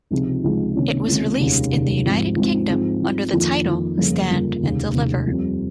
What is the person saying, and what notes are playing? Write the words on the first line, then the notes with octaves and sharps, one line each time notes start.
It was released in the United Kingdom under the title Stand and Deliver.
C#2 C3 F3 G#3 D#4
C#2 C3 F3 G#3 D#4
C#2 C3 D#3 A#3 C#4
C#2 C3 D#3 A#3 C#4
F1 D#2 C#3 G#3 C#4
F1 D#2 C#3 G#3 C#4
G#1 G#2 F3 C4
G#1 G#2 F3 C4
G#2 F3 C4 F4
G#2 F3 C4 F4
F2 D#3 A#3 F4
F2 D#3 A#3 F4
G1 F2 C#3 F3 A#3
G1 F2 C#3 F3 A#3
F1 D#2 C#3
F1 D#2 C#3
F2 C3 G3 C4